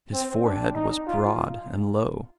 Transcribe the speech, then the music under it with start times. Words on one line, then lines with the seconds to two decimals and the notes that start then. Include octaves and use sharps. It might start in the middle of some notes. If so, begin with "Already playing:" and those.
His forehead was broad and low.
0.14 C4
0.44 D4
0.75 D#4
1.07 F4